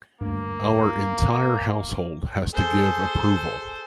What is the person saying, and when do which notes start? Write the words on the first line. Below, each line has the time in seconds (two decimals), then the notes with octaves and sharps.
Our entire household has to give approval.
0.21 D2 G2 A#3
2.54 G#4 A4 C5